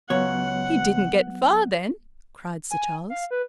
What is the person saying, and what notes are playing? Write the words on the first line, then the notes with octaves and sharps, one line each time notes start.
"He didn't get far, then!" cried Sir Charles.
C#2 F#3 B3 C#5 F#5
G#5
F5
B4